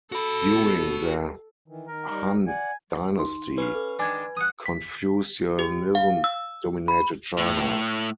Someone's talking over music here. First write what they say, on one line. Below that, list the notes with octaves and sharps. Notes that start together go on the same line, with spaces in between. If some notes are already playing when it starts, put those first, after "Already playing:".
During the Han dynasty Confucianism dominated China.
F#4 A4 B5
D#3 E3
D#3 A#4
G3 D#4
D5 F#5 G#5
D#4 C6
C#4 B4 F5
A4
D#3 G#3 D4 G#5 G#6
G2 F#5 D#6
B6
G4
F5
E6
B5
A2